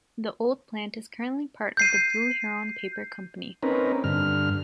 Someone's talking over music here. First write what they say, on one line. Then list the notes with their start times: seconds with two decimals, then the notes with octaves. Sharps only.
The old plant is currently part of the Blue Heron Paper Company.
1.77 G6 C7 D#7
3.63 C4 C#4 D#4 A#4 B4
4.04 G2 D3 F6